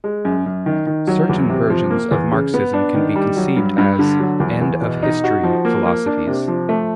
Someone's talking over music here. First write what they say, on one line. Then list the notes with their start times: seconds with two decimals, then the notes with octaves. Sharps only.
Certain versions of Marxism can be conceived as "end of history" philosophies.
0.04 G#3
0.25 F#2
0.46 F#2
0.66 D#3
0.87 D#3
1.07 F#3
1.29 E2
1.50 C3
1.70 F3
1.91 A#3
2.11 E2
2.32 C#3
2.54 B3
2.74 D4
2.95 D#3
3.16 G3
3.37 F#3
3.56 G2
3.78 G2
3.99 D3
4.20 F#3
4.40 E2
4.61 E2
4.82 B2
5.03 D#4
5.24 F#4
5.44 F3
5.65 A#3
5.86 A#3
6.06 D4
6.27 C3
6.48 F3
6.69 A3